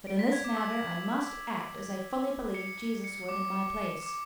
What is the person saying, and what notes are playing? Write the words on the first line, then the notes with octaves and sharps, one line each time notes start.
But in this matter I must act as I fully believe Jesus would in my place.
D7
B6
G#6
D6
E6
C#7
C#7
D6
D6
D6